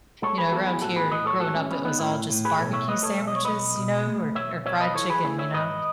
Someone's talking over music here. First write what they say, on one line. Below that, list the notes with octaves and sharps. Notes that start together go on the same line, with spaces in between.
you know, around here growing up, it was all just barbecue sandwiches, you know, or or fried chicken, you know?
G#3 A4 C#5
G#4 B4
B3 F#4 A4
E4 G#4
A2 F#4 A4
G#4 B4
A2 B4 D#5
A4 C#5
G#3 F#4 A4
C#4
B3 C#4
B3 D#4
A2 C#4 E4
A2
G#4 B4
B2 A4 C#5
C#5 E5
A3 B4 D#5
A4 C#5
B1 E5
D#5
C#5
B1 B4 D#5
B2
A3
B1 C#5 E5
B1 C#5 E5
B4 D#5
E3 A4 C#5
G#4 B4
A3 E4 G#4
C#5 E5
G#2 B4 D#5